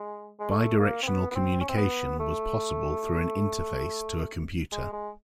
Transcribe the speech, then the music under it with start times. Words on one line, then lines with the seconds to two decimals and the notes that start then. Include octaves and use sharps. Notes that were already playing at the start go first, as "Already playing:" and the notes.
Bi-directional communication was possible through an interface to a computer.
Already playing: G#3
0.40 G#3
0.51 A3
0.79 A#3
1.03 C4
1.07 B3
1.31 B3
1.35 C4
1.61 C#4
1.69 C4
1.77 B3
2.19 A3
4.72 G#3
4.93 G#3